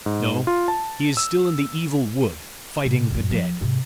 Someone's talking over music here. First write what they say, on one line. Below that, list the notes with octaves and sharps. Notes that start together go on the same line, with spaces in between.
"No; he is still in the Evil Wood, fighting the dead."
G#2
F4
A5
E6
A2 C3
F#2 A#2
F3
G#2 C3